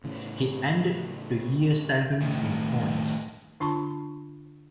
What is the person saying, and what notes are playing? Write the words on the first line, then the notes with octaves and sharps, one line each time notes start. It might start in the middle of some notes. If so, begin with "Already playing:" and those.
He ended the year seventh in points.
A2 C#3 E3
A2 D#3
D3 D4 F4 A5 B5 C#6